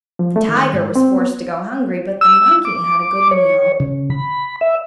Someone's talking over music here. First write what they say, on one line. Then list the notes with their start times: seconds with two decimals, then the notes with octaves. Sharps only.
The tiger was forced to go hungry but the monkey had a good meal.
0.19 F3
0.36 A3
0.49 D#3
0.74 G#2
0.96 C4
1.16 B3
2.21 E6
2.65 D6
3.31 C#5
3.80 C#3
4.10 B5
4.61 E5